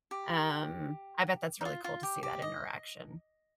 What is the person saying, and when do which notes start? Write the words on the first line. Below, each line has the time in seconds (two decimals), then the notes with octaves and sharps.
um, I bet that's really cool to see that interaction.
0.11 G4
1.61 D#4
1.65 F4
1.84 F4
2.03 G4
2.23 G4
2.42 D#5